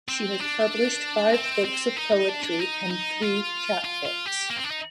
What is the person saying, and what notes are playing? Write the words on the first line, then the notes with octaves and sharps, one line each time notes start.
She has published five books of poetry and three chapbooks.
C4
D4
C4
C4
D#4
D#4
D4
D4
D#4
D#4
F4
F4
F4
G4
A#3
C4
D4
D#4